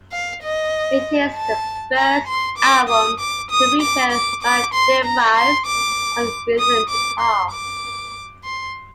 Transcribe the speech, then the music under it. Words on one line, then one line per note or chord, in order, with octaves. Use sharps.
It is the first album to feature Matt DeVries on rhythm guitar.
F5
D#5
A5
A#5
C6
D6
D#6
D6
D#6
D6
D6
D6
C6
A#5
C6
D6
D#6
D6
C6
D6
C6